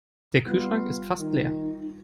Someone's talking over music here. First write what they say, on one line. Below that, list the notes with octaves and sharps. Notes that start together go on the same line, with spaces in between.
Der Kühlschrank ist fast leer.
G3 B3 F4
D#3 D#4